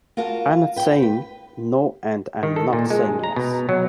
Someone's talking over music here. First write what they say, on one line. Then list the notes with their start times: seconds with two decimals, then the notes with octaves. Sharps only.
I'm not saying no and I'm not saying yes.
0.17 F4 F#4 A#4 F5 A5
0.76 B4 G5
1.02 B4
2.43 D#3
2.56 A4
2.73 A#2
2.90 G#3
3.23 A#5
3.36 B2
3.69 F#3